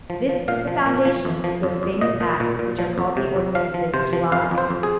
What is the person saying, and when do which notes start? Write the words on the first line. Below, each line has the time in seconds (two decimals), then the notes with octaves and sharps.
This is the foundation of those famous acts which are called the ordinances of July.
0.10 F3
0.29 F3
0.48 A#2 F5
0.67 F3
0.86 A#2
1.05 F3
1.25 F2
1.44 F3
1.63 F2
1.83 F2
2.01 A#2 D#5
2.21 A#2
2.40 A#2
2.59 A#2
2.79 F3
2.98 F2
3.17 C3
3.36 F2
3.55 F3 F5
3.74 F3
3.94 C3 C5
4.13 F3
4.32 F2 F5
4.51 F2
4.58 C5
4.70 F2
4.83 G#4